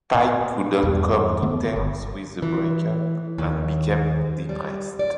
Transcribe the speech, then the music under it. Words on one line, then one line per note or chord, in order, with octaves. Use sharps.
Pike couldn't come to terms with the break-up and became depressed.
A#2
E2 G2 B2
D3 A3 B3
G1
E3
D#2
G3
D5